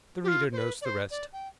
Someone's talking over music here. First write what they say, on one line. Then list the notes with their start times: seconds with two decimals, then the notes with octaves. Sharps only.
The reader knows the rest.
0.24 G4
0.28 F4
0.52 C5
0.57 B4
0.81 D5
0.85 C5
1.10 D5
1.33 G5